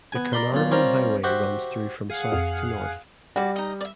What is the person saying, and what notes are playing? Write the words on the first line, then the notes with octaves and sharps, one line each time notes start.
The Carnarvon Highway runs through from south to north.
B3 G#5
A#4 D5 B5 C6
B1 A#2 F4
G3 C4 C#4 F4 A#4 F5
F#4 G4 C5 E5 F#5
G#4 F5 F#5
F2
G3 F#4 D5
D#4 D#5
D5 E5